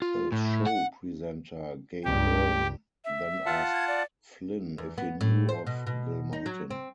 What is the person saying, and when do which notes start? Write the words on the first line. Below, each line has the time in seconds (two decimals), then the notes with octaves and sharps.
The show presenter Gay Byrne then asked Flynn if he knew of Gilmartin.
0.02 F4
0.32 A2
0.66 F#5
2.05 C#2 G2 G4
3.05 E5
3.46 F4 F#5 A5
3.73 G#6
3.88 D5
4.78 E2
4.98 B3
5.21 A2
5.49 C5
5.67 B2
5.87 B2
6.33 D#4
6.46 F#3
6.71 C4